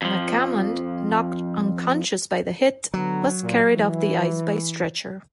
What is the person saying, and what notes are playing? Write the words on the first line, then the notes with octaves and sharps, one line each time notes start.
McAmmond, knocked unconscious by the hit, was carried off the ice by stretcher.
F2 F3
D3 F#3 B3 A#5
A#2
E3